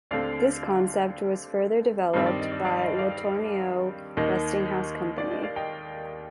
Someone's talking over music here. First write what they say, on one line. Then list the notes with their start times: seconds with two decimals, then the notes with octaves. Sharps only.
This concept was further developed by LeTourneau Westinghouse Company.
0.11 D#2 D3 A3 C4 D5 F5
2.14 G2 D#3 G3 C4 D#5
2.26 D5
2.39 D#5
2.52 D5
2.65 D5 F5
2.82 D#5
2.98 D5 F5
4.17 D#2 D#3 A#3 D#5
5.18 D5
5.31 D#5
5.43 D5 F5
5.56 D#5 G5